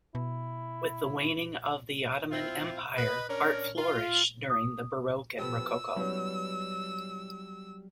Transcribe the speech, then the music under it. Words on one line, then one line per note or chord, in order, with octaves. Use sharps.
With the waning of the Ottoman Empire, art flourished during the Baroque and Rococo.
B2 E4
C4 E4 F4
B4 D#5
C#4 D4 A#4
F4
D#6
F3 B3 G4 A4 E6
F#3 G3 B3 C#4 E4 B4